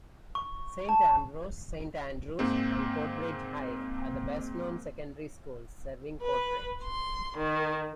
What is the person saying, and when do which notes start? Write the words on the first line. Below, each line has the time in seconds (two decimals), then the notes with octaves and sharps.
Saint Ambrose, Saint Andrew's and Coatbridge High are the best-known secondary schools serving Coatbridge.
0.35 C#6
0.89 A5
2.39 G#2 A#3 C4
6.22 B4
6.83 C6
7.37 D#3